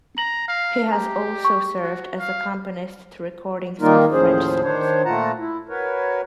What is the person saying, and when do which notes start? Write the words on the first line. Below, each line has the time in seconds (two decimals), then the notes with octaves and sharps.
He has also served as accompanist to recordings of French songs.
0.18 A#5 F#7
0.48 F5
0.92 G4 A#5
1.45 C#6
1.81 F#4
2.19 F5
3.81 D#3 G3 A#3 D#4 F4 A#4
4.12 D#2 A2 F3 C#4 G#4 C5
4.63 D#3 D4 C5 C#5
5.05 A#2 A3 F4 F#5 A5 A#5
5.39 E4
5.69 F#4 A#4 B4 C#5